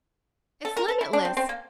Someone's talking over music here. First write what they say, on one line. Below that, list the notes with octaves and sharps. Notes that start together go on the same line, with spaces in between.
It's limitless.
A4
A#4
A4
E4
D4
C4
C4
A#3